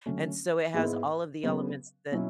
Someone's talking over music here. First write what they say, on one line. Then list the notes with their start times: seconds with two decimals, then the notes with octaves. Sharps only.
and so it has all of the elements that
0.06 D3 F#3 A3 C#4
0.74 G#2 G#3 B3 E4
1.43 C#3 F#3 B3
2.12 B2 F#3 C#4 E4